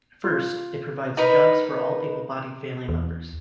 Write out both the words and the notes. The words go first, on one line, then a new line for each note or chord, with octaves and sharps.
First, it provides jobs for all able-bodied family members.
F4
D#4 A#4 B4
E2